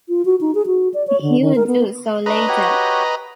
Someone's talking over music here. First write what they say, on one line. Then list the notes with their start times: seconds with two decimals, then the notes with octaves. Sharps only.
He would do so later.
0.09 F4
0.25 F#4
0.41 D#4
0.55 G#4
0.66 F#4
0.94 D5
1.07 C#5
1.22 D3
1.41 D#3
1.56 A#4
1.67 B3
2.26 A3 D4 B4 D#5 A#5
2.48 F#4 G4 C#5